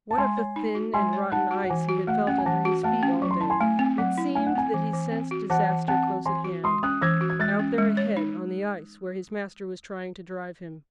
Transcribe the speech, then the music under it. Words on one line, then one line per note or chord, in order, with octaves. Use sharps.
What of the thin and rotten ice he had felt under his feet all day, it seemed that he sensed disaster close at hand, out there ahead on the ice where his master was trying to drive him.
A5
G#3 G#5 C6
C#5
D#4
F#4
G#3 G#5 C6
C#5
D#4 F#5 A5
F#4
F#5
E3 G#5
F#4
A3 F#5
C#4 F#5
G#5
E3 F#5 A5
F#4
A3 F#5 A5
C#4
F#3 C#6
C6
E4 A5
G#5 C6
A3 G#5
C4
F#3 F#5
E4
A3 G#5
F#5
C4 G#5
E3
E3
C4
F#4
E3 F#5 A5
E3
C4 F#5 A5
F#4
E3 G#5 C6
F#4
G#3 C6 D#6
C#4 D#6 F#6
E3 E6 G#6
F#4
G#6
G#3 F#6 A6
C#4
G#3
C#5
D#4